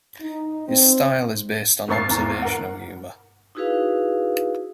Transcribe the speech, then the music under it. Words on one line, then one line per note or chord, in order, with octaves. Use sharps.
His style is based on observational humour.
D#4
C4
G#1 A#3 C#6 A6 C7
G#1 E2 A#5
A#4 F#5
D#4 E4 F#4 G#4 B4 F5